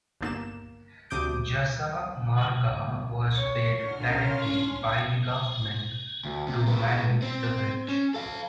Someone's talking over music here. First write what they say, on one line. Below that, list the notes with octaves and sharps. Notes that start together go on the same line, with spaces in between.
Jasa Marga was paid directly by the government to manage the bridge.
G1 A#3 E7
D2 C3 D6 D#6 G6 D7
C#5
D3 F6
C#4 A#4 F5 C6 F6
D4
D2
C3
G#3 B4
C4
C#4
A4 F5